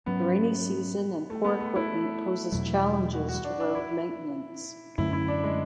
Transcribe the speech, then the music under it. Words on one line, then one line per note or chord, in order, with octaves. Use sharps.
The rainy season and poor equipment pose challenges to road maintenance.
G#2 F#3 B3 C#4
A3
B3
A3
E4
E2 B2 F#3 A3
F#4
F#4
D4
D4
E4
F#2 D3 A3 C#4 E4
E4
D4
G#3